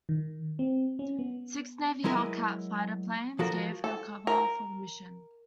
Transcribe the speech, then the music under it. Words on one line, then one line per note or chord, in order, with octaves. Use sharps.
Six Navy Hellcat fighter planes gave her cover for the mission.
D#3
C4
C#4
B3
F#3 G#3 E4 A#4 B4
F3 F#4 A4 A#4
A4
A#4